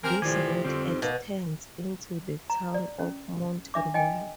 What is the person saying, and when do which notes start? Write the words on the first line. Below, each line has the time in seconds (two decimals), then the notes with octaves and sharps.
This route extends into the Town of Mount Royal.
0.04 C4 G4 A#4 G#5
0.22 A2 C3 D#3 F3 D5 G#5 D6
0.64 F2 D3 G3 C4
0.88 D#4
1.02 B2 A#3
2.50 A#5
2.74 D5
2.99 C#4
3.74 D4 E5 D6
3.94 D#5 G5 G#5